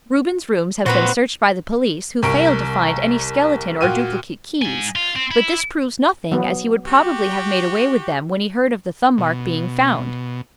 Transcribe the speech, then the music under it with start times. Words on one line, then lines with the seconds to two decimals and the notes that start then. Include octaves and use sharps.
Reuben's rooms have been searched by the police, who failed to find any skeleton or duplicate keys; but this proves nothing, as he would probably have made away with them when he heard of the thumb-mark being found.
0.86 A#2 B3 F#4 B4 C5 B5
2.23 C2 A#4 A#5 C#6 D7
3.81 A#2 F#4 G5 F6 D#7
4.62 G#2 G#5
4.95 F4
5.15 C4
5.31 E4
6.32 F#3 B3
6.86 F#4 G4
9.18 B2